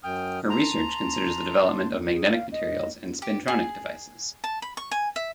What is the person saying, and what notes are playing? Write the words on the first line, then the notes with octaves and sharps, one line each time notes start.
Her research considers the development of magnetic materials and spintronic devices.
F#2 G5 D#6 F6
A5 A#5 C6
G#4
F5
D#5
G4
G#4
A5
B5
C#6
G#5
E5